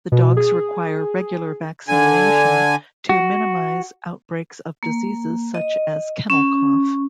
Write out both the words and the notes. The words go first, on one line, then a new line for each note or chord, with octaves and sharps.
The dogs require regular vaccination to minimize outbreaks of diseases such as kennel cough.
B2
G#4
D3 G#5
F#4
A#3
D#5
C#4